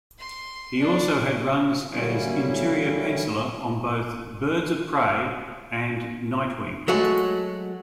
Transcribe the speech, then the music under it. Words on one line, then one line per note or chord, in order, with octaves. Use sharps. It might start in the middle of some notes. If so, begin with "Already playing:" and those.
He also had runs as interior penciler on both "Birds of Prey" and "Nightwing".
C6
D4
D3 F#3 G3 A#3 C#4 E4
F#3 G#3 A3 F#4